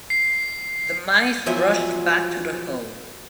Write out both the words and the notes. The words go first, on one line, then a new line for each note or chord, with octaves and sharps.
The mice rushed back to their hole.
C7
E2 F3 F#3 E5 G#5